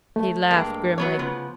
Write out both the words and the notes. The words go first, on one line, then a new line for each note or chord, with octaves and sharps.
He laughed grimly.
A3
G2 G#3 A#3
F#3 B3 C#5
C#3 F3 B3